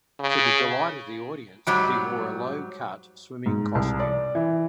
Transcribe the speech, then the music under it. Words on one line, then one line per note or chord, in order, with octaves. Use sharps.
To the delight of the audience she wore a low-cut swimming costume.
C#3
G#2 F#3 G3
G#2
C2
D5
E3